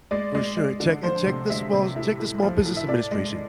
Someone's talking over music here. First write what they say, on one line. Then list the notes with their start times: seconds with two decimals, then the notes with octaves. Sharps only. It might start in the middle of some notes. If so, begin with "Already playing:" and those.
For sure, check and check the small check the small business administration,
0.11 G#3 D5
0.35 G#3
0.57 G#3
0.80 D3
1.03 F3 C5
1.27 C3
1.50 G#3 E5
1.73 C3
1.96 A2 E5
2.20 A2
2.42 F3
2.65 A2
2.77 E5
2.88 A2 D5
3.11 G#3